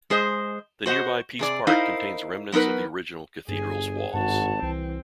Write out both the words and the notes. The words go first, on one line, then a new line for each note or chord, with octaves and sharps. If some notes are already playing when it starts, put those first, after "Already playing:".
The nearby Peace Park contains remnants of the original cathedral's walls.
G#3 G#4 C5 D#5
F#4 C5 D#5 F#5
C3 G#4 D5
D#4 E4 A#4 C5 D#5 F5
F#3 B3 D#4 A#4 B4
G1 G2 G#4
G#1 G2 F#4 A5
C2 E3 C4